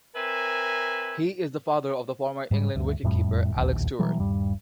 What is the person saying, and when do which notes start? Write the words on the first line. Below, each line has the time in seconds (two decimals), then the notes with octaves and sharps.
He is the father of the former England wicket-keeper, Alec Stewart.
0.16 C4 A#4 B4 E5 G#5
2.51 G#2 G3
2.75 D2 G2
3.03 E1 F2 A2 G3
3.54 D1 A#1 D#2
3.99 B2 E3 F#3 G3
4.19 D#1 G2 G3